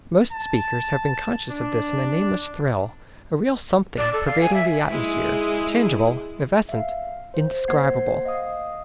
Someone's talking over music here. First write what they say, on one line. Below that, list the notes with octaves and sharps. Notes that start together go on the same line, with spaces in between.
Most speakers have been conscious of this in a nameless thrill, a real something, pervading the atmosphere, tangible, evanescent, indescribable.
A5
D4
D5
A4
F5
G#5
E5
G#3 E4 G#4
E5 F5
C5
A#3 C5 F#5 G#6 C7
D#5 F5 D#6